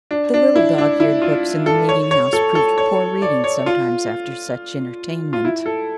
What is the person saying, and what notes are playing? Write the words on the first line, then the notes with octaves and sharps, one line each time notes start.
The little dog-eared books in the meeting-house proved poor reading sometimes after such entertainment.
D4
D4
E4
D4
E4
F4
A4
C#5
C#5
A4
A4
C#5
D5
C#5
F4
F4
E4
A4